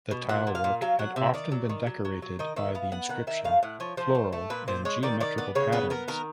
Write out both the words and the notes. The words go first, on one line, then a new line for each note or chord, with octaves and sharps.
The tile work had often been decorated by the inscription, floral and geometrical patterns.
B2
A#2 F#5
A#2
F5
A#2
F#3 F5
F#3 F#5
C3 E5
D#3 D5
F#3
D#3
F#3
F#3
F#3
D#3 D#5
D#3 E5
B3 F5
B3 F#5
D#3 F#5
D#3 E5
A2 F5
A2 F#5
F3 C#5
F3 C5
A3
A3
A#2 B4
A#2 C5
G#3 C#5
D#3 D5
D#3 D5
B3 D5
C#3 C#5
B3 B4
B3 A#4
D#3 A#4